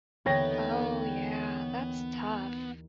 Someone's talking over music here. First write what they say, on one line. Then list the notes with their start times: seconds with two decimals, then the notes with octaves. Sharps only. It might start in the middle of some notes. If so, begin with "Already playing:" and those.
Oh, yeah, that's tough,
0.26 D#2 D3 E3 B3 C#5 G5 A#6